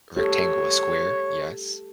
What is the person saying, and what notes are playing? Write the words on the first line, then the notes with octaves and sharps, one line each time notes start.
rectangle a square? Yes.
G4 A4 C#5